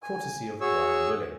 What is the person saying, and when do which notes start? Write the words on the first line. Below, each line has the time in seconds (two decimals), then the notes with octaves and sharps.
Courtesy of Bryan Willy.
0.03 G#5
0.61 F#4 G#4 C#5 C#6 E6